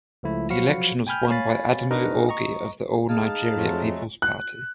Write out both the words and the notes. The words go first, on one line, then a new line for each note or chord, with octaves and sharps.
The election was won by Adamu Augie of the All Nigeria Peoples Party.
C#2 F3 A3 E4
F3 F#3 F#4 F5 B5 C#7
G5 G#5 B5 F6 G6
C#5 F5 G#5 B5 A6
D4 D#4 F#4 A#4 B4 D#5
D#5 A#5 C#6
D#4 G#4 F5 A5
F2 F#3 G#3 A3
F#6